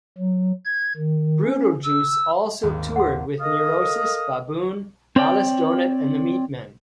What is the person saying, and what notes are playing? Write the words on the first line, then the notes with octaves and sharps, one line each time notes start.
Brutal Juice also toured with Neurosis, Baboon, Alice Donut and The Meatmen.
F#3
G#6
D#3
C#4
E6
G#1 D#2
F#5 C6
A4 A#4 D#5 F5 D#6
C4 C#5 D5 G5